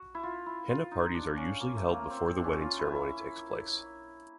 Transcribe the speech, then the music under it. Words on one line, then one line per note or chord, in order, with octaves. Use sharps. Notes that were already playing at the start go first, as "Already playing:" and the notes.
Henna parties are usually held before the wedding ceremony takes place.
Already playing: F#4
E4
F4
E4
F4
D#4
D4
C#4
A#3
A3
A#3
C4
C4
D4
C#4
F4
E4
E4